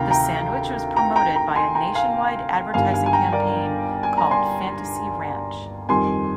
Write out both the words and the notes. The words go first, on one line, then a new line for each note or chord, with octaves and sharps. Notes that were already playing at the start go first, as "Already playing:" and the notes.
The sandwich was promoted by a nationwide advertising campaign called "Fantasy Ranch".
Already playing: D2 C3 D#3 F5 G5 A#5
G5 A#5
G5 A#5
G5 A#5
G5 A#5
G#5 C6
G5 A#5
F5 G#5
G1 G2 D#3 G3 F5 G#5
F5 G#5
G#5
G5 A#5
A#4 D5
G#5
A#5
G#5 C6
F2 D#3 G3 G#5 C6